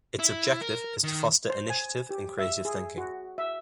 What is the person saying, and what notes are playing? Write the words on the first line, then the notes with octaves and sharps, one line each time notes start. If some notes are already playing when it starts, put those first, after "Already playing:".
Its objective is to foster initiative and creative thinking.
E4
A#4
D#3
C5
G#5
G4
E5
G#4
F#4
E5